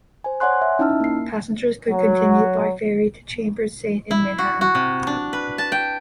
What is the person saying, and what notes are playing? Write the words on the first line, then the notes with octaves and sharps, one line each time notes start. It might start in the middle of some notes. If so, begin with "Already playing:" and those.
Passengers could continue by ferry to Chambers Saint in Manhattan.
C5 G#5
C#5 D5 F#5 G#5 C6 F#6
E5
C#4 D#4 E4 A5 E6 F6
A#3 C7
F#3
E4
F#4
F#4
C3
D4
B4
A5
G5